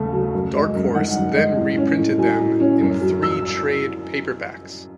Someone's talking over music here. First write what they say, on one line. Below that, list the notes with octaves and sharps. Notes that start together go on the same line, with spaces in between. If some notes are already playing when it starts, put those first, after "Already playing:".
Dark Horse then reprinted them in three trade paperbacks.
Already playing: D#2 C#3 A3
F#3
F#2
G#3
F#2
D#3 F#5
F#2
G#3
A2
C#4
A2
F#3 G#5
A2
C#4
F#2
F#3
E6